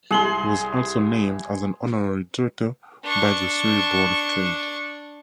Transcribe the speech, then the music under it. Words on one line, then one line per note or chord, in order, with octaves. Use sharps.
He was also named as an honorary director by the Surrey Board of Trade.
C2 G#4 C6 F#7 G7
D4 C#6